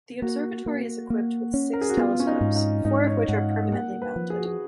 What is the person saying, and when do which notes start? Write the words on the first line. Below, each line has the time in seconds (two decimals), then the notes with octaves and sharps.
The observatory is equipped with six telescopes, four of which are permanently mounted.
0.22 A#3 F#4
0.66 A#3
1.10 A#3
1.54 C#4
1.73 A#4
1.81 G#4
1.89 F#4
1.97 B3 F4
2.20 C#4
2.27 D#4
2.41 G#2
2.56 D#4
2.85 G#2 D#4
3.07 C#5
3.28 G#2 F#5
3.50 F#5
3.72 A#3 F#5
4.02 B4
4.16 F3
4.30 G#4
4.38 F#4
4.45 G#4